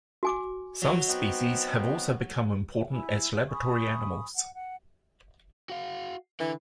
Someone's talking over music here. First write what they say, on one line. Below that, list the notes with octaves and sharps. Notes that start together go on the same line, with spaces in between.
Some species have also become important as laboratory animals.
F#4 G#5 D6
F#3
B3 C4 D#4
E4 G#5 B5
G#5 B5 C#6 D#6
F#5
F#5
F#4 F5
D3 E3